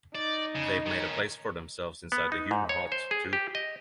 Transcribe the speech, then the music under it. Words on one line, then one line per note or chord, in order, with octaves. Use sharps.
They’ve made a place for themselves inside the human heart, too.
D#4 D5
C#3
D#3 C#4
B3
D#4
G#2
C#5
C5
G#4
G4
D#5